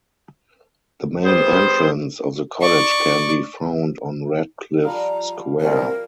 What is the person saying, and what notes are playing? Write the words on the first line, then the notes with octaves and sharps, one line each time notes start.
The main entrance of the College can be found on Radcliffe Square.
G3 B3 G#4 C5
D5 C#6
F3 G3 F5 A#5
C2 A#4